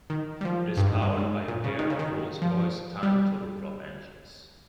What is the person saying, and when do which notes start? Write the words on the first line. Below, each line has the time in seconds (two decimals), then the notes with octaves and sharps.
It is powered by a pair of Rolls-Royce Tyne turboprop engines.
0.10 D#3
0.41 G3
0.45 F3
0.77 G2
0.87 G#2
1.02 G2
1.18 G#2
1.48 A#2
1.64 C#3
1.79 D#3
1.90 C#3
1.99 D#3
2.42 F3
3.03 G3